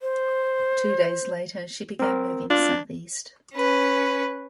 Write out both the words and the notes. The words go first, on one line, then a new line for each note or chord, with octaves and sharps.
Two days later, she began moving southeast.
C5
C4 A#4
D4 F4
C#4 B4